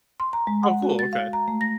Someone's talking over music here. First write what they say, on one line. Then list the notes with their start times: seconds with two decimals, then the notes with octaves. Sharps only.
Oh, cool, okay.
0.20 C6
0.33 A#5
0.47 G#3
0.63 F#5
0.82 F#4
0.99 A6
1.13 F5
1.33 A#5
1.48 A3
1.61 A#6